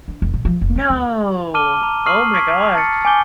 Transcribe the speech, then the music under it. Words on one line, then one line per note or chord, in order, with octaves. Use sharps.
No. Oh my gosh.
D4
F1
A#2
F3
F1
C4
D2
A5 D6 F6 D#7 G7
A#5
C#6 D#6 F6 C7 D#7 F#7
C#6 G#6 B6 C7
A5 F6 A6 C#7
G#5 D6 G6 G7